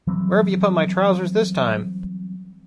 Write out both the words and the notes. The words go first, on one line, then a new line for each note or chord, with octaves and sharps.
Where've you put my trousers this time?
E3 F#3 G3 C4